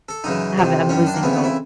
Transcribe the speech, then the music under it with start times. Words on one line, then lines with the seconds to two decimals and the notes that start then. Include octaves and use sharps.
have a I'm losing hope.
0.09 A4
0.24 F#2 C#3 E3 D#4
0.58 F2 C3 D#3
0.89 F#2 D#3 C#4
1.07 D4
1.14 A#3
1.22 F2 C#3 E3 B3
1.33 B3
1.44 E4